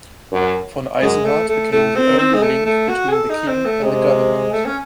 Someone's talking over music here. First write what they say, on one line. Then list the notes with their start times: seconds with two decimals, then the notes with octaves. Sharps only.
Von Eisenhart became the only link between the king and the government.
0.32 F#2
1.02 F#2 G#3
1.25 A3
1.49 A3
1.72 A2 A3
1.95 C4
2.07 D#3
2.19 C4
2.34 G#3
2.42 A3
2.66 A3
2.89 F#4
3.08 G#4
3.12 A4
3.30 D#4
3.47 C4
3.65 A3
3.83 C3 G#3
4.53 A3
4.65 C#4